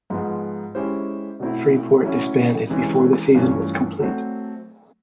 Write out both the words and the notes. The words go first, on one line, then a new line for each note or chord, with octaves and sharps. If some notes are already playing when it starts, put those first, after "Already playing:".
Freeport disbanded before the season was complete.
G#2 F3 G#3 B3
G#3 C#4 E4 G4 C5
B2 F#3 A3 C4 E4
F#3 A3 C#4 E4
C3 E3 G#3 C#4
G2 E3 A3 C#4 F4
F#3 A3 C4